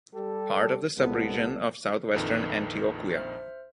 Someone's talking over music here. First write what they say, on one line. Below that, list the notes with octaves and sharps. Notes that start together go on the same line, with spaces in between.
Part of the subregion of Southwestern Antioquia.
G3 G4 A4
C2 A#2 G#3 B3 A4
A#1 F2 D#3 A4 B4
C5 E5 F6